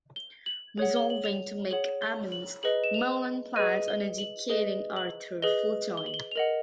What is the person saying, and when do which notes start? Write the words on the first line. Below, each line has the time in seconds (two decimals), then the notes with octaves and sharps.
Resolving to make amends, Merlin plans on educating Arthur full-time.
0.16 G7
0.46 F#7
0.78 G#4 C#5 F#5
0.96 G7
1.10 F#7
1.24 F7
1.71 G#4 C#5 F#5 F#7
2.02 G7
2.32 F#7
2.63 G#4 B4 D#5 F#7
2.84 E7
2.94 F7
3.56 G#4 B4 D#5 D#7
3.88 G7
4.18 F#7
4.49 G#4 B4 D#5 G7
4.97 F#7
5.42 G#4 B4 D#5 G7
5.97 G7
6.06 F#7
6.14 G7
6.31 F7
6.35 A#4 D#5 F#5 F#7